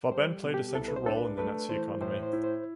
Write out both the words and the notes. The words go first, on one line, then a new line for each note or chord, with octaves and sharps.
Farben played a central role in the Nazi economy.
G3 C5
B2
G4
C2 A4
B4
C5
D4 A4
B4
A3 B4
E3 C5
A2 C5
C5
E4
C5